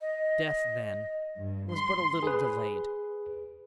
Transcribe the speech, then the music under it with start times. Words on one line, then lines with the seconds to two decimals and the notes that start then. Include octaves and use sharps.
Death, then, was but a little delayed.
0.01 D#5
1.38 G2
1.74 C6
2.23 G#4 B4